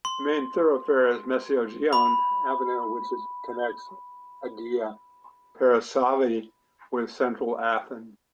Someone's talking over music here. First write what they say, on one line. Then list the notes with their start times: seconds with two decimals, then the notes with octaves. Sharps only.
The main thoroughfare is Mesogeion Avenue, which connects Agia Paraskevi with central Athens.
0.05 C6
1.93 B5